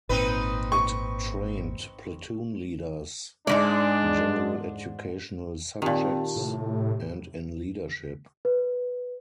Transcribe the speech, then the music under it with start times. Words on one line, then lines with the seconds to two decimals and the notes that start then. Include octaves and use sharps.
It trained platoon leaders in general educational subjects and in leadership.
0.09 G#1 A#2 C4 D#4 B4
0.72 C#6
3.47 G#2 C#3 G#3 D4 D5
5.82 A#2 D#3 C4 F4 G4 A5
6.36 A2 C3
8.45 B4